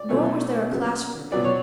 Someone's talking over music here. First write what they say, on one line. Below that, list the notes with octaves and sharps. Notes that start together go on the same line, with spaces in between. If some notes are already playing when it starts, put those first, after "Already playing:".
Nor was there a class for me.
Already playing: D5
B2 F#3 A3 C#4
C#3 F#3 B3
B2 F#3 B3 D5
C#5